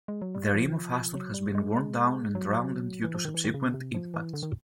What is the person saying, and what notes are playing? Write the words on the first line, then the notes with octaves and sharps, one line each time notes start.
The rim of Aston has been worn down and rounded due to subsequent impacts.
G#3
F#3
G3
F3
F#3
G3
G#3
G#3
F#3
E3
F3
D#3
E3
D#3
C#3
C3
F3
E3
D3
D#3